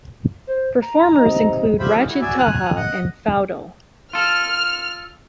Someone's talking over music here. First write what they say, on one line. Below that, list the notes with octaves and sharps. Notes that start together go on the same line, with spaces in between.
Performers include Rachid Taha and Faudel.
C5
A#5
C3 D#4
D3 F4 G4 C5 E5 B5
C3 D#3 F3 G3 G#3 A#3
F#3 E4
F#3 G#4 D5 E5
G#5 F#6
D#5 F#5
F4 A4 F6